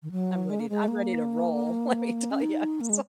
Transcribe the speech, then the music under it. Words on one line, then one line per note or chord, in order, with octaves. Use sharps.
I'm ready t I'm ready to roll, let me tell you, I'm so,
D#3
F#3
G#3
A#3
G#3
A#3
C#4
D#4
A#3
G#3